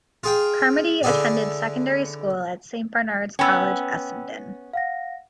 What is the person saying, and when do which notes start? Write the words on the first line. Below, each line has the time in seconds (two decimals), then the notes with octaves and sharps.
Carmody attended secondary school at Saint Bernard's College Essendon.
0.24 F4 G#4 G5
1.03 D3 E4 G#4 D5 G#5
3.39 B3 C#4 G5 B5 E6
4.73 F5 F#5 A#6